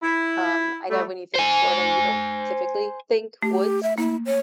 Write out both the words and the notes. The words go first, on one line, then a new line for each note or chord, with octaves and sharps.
Um, I know when you think "Florida," you don't typically think "woods"
E4
G3 A3
C5 G#5
A3 G4
E5
A#3 E4
C#5